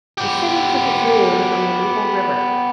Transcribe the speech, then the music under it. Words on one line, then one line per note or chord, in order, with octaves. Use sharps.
The city took its name from the Maple River.
B3 G4